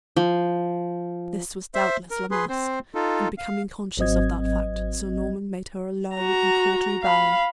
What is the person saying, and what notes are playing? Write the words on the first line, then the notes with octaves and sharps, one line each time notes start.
This was doubtless La Masque, and becoming conscious of that fact Sir Norman made her a low and courtly bow.
F3
C5 E5
A#4
G#4 B4 C6
C4 C5
D#4 F4 A4
F5
G#1 F#3 C4 D#5 G#6
F#4 A#5
F5 B5